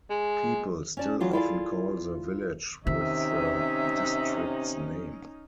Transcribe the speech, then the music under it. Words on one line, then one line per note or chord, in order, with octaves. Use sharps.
People still often call the village with the district's name.
G#3
C#4 D5 A5
E3 F#3 F4 F#4 G#4
E4 F4 G#4 A4 D5 F5
C3 D#3 C#4 D#4 E5